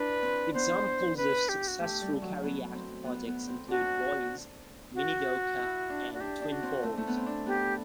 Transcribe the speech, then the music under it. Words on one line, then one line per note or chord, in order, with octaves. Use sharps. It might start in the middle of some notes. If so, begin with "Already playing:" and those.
Examples of successful Carey Act projects include Boise, Minidoka and Twin Falls.
Already playing: D4 E4 B4
C4
B3 C5
B4
G4
F#4
A3 G4
G3
F#3
B3
C4
B3
B3
C4
D4 F#4
F#4
E4
D4
F#4
D4 G4
D4
F#4
C4
A3
A3
B3
C4
D4
B3 G4